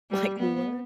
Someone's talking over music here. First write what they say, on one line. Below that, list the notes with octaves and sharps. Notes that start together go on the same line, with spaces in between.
Like, what?
G3
B3